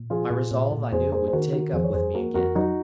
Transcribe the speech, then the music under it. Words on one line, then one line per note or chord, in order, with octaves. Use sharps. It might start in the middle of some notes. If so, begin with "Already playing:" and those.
My resolve I knew would take up with me again.
Already playing: A#2
F3 F4 G#4
A#2
A#2
A#2
F2 G#4 C5
A#3 G#4 C5
C5
D#3 F#4 A#4
D#3 F#4 A#4
F2 G#4 C5
C#5
F2 G#4 C5
A#3 F#4 A#4
F2 F#4 A#4
F#3 D#4 F#4